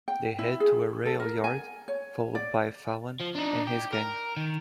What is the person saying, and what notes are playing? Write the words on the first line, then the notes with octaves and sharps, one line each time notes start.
They head to a railyard, followed by Fallon and his gang.
G5
E4
G#4
A4
A#4
G#5
C#5
D5
F3
D4 D#4
G4
A#4
D#3